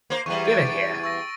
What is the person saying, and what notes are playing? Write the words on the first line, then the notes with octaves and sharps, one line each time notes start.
Give it here!
A#3 C5
E2 G3 C#6 D#7
A6 D7
C#6 E6 A#6